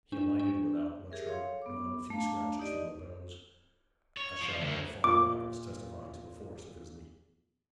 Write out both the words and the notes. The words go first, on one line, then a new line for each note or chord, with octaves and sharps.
He alighted without much hurt beyond a few scratches from the boughs, a shower of falling apples testifying to the force of his leap.
D4
D4
G4 G#4 A#4 E5
A4 C#5 F5 C6
B3 D6
A3 D4 F5 A#5
D#4 G4 D5 D#5
C#5
F3
D2
A#2 D6